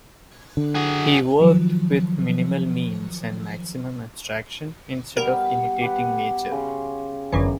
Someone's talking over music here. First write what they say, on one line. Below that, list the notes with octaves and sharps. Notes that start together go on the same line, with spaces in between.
He worked with minimal means and maximum abstraction instead of imitating nature.
D3
F#4 G#4
D#3 F3 F#3
G3 B3 G4 A#4
G4 B4 F#5
C#3 C6
G1 F#2 E3